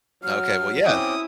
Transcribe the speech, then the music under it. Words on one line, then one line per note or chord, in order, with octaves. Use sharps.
Okay, well, yeah,
F#3 F6
C4 C#4 E4 G5 D6 D#6